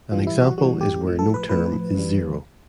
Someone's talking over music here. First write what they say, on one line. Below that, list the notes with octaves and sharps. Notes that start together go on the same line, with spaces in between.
An example is where no term is zero.
A2 E3 G3 F4
E4
F#4
A2 E3 G3 F#4
G4
A2 F3
A4
B4
A2 F3 B4
G2 E3 G3